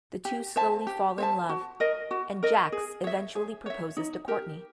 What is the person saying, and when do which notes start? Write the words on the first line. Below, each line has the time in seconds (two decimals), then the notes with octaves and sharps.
The two slowly fall in love and Jax eventually proposes to Courtney.
0.25 G4
0.56 C5 E5 A5
0.87 G4
1.18 C5 E5 A5
1.49 F#4
1.80 A#4 D#5
2.11 F#4
2.43 A#4 D#5
2.72 G#4
3.04 C#5 E5
3.35 G#4
3.66 C#5 E5
3.97 D#4
4.28 G4 A#4